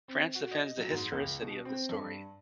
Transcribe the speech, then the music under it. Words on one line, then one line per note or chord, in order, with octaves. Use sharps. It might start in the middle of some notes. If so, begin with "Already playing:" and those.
France defends the historicity of this story.
C4
F#4
D#5
F#3
G#2
C#2
B2
C4
G2